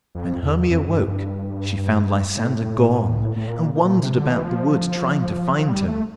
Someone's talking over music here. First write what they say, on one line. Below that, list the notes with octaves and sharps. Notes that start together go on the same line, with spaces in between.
When Hermia woke she found Lysander gone, and wandered about the wood trying to find him.
F2
E2
F2
G2
G2
A2
A2
A#2
A#2
C3
D3
E3
F3
F3
G3
A3